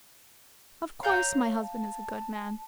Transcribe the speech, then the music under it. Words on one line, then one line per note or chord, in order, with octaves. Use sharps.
Of course, my husband is a good man.
C#5 F5 A#5 G6
A5